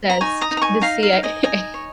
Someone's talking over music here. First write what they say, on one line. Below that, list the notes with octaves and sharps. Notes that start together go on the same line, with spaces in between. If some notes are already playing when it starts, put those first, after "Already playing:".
sessed The CIA A
A#5
D#4 G#5 C#6
A#5 D#6
D#4
A#5
G#5 C#6
D#4 F5 A#5
F5
D#4
D#5 G#5
D#4 D#5 G#5
C#5